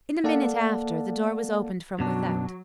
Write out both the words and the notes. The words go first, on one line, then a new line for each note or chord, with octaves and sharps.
In a minute after, the door was opened from without.
A#3 A4 D5 F5 F#5 A5
F#2 B2 F#3 D4